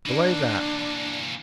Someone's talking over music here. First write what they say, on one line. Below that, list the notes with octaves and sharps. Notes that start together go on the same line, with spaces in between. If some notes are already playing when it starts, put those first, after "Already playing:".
"Belay that!"
E3 A#3 D4